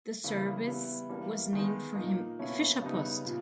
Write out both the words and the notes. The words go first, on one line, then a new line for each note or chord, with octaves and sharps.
The service was named for him "Fischerpost".
C#3 E3 A#3 E4
G3 B3 E4
E3 G3 A#3
D#3 G#3 B3 D#4
A#2 A#3 D#4
B2 A#3 C#4 E4
C#3 G3 B3 D#4
A#2